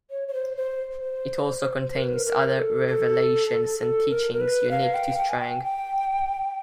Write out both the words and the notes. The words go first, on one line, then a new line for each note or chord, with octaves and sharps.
It also contains other revelations and teachings unique to Strang.
C#5
C#5
C5
C5
C5
A#4
B4
A#4
A#4
A4
A4
A4
A#4
A#4
B4
F5
G5
G5
G#5
G5
G5